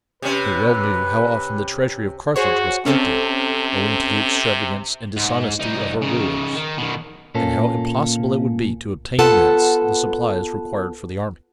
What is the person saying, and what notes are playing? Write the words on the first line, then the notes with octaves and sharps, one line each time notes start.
They well knew how often the treasury of Carthage was empty owing to the extravagance and dishonesty of her rulers, and how impossible it would be to obtain thence the supplies required for the army.
C3 C#4 B4
F#4 G#4 C5 C#5
C3 C4 C#4 A4
G#2
C2 D#4
C#3 D#4
D#3
B2 D#3
A#2 A#3 C#4 A4
B3 F4 A4 B4 F#5 A5